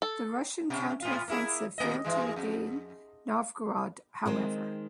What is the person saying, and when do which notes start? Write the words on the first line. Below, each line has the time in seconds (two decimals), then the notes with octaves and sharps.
The Russian counter-offensive failed to regain Novgorod, however.
0.02 A4
0.70 B2 C#4
1.02 A2 F4
1.28 A#3 E4 G#4
1.78 D#2 A3 D#5
2.04 G2 E3 G#3
2.36 F2
4.26 D#3 G#3 C4